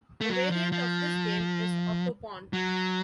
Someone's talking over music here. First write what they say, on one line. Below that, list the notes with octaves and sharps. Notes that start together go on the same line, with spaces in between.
A variant of this game is octopawn.
A3
F#3
F3
F3
F#3